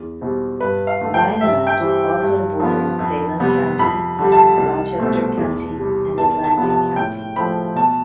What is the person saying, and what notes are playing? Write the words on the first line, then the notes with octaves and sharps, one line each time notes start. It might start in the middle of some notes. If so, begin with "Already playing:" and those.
Vineland also borders Salem County, Gloucester County, and Atlantic County.
Already playing: E2
B2 G3 C4
G2 B4
F5
D3 A3
G5
G2 E5
G5
E3 G3 C4
G2
F3 B3
F2
C3 G3 B3
F2 B5
D3 G3
A5
C2
B2 A3 C4
E2
C3 G3
E2 A5
A5
C3 F3 B3
A5
A2 G5
F3 A3 C4 B5
B2 A5